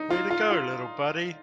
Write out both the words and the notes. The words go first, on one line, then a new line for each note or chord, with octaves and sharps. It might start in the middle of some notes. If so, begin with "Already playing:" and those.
Way to go little buddy!.
Already playing: D#4
F4
F4
F4